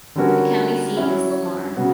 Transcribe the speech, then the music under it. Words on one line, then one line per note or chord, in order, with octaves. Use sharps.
The county seat is Lamar.
D3 G3 C#4 F#4 A#4
F#3 C#4 E4
C#3 F#3 B3 F#4